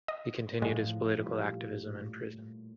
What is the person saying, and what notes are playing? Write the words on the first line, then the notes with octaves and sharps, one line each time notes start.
He continued his political activism in prison.
D#5
A2 F3 G#3
A#2 G3 F4